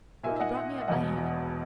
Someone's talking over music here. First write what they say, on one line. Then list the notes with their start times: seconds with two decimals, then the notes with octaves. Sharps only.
She brought me up by hand.
0.23 A#2 A#3 D#4 E5 G#5
0.36 E5
0.39 D#5 F#5
0.56 E5
0.81 E5
0.88 E1 E2 B2 D#5 F#5